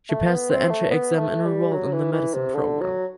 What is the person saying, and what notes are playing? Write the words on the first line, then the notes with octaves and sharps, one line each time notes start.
She passed the entry exam and enrolled in the medicine program.
A3
B3
C4
A3
B3
A3
G3
F#3
E3
E3
C3
D3
F#3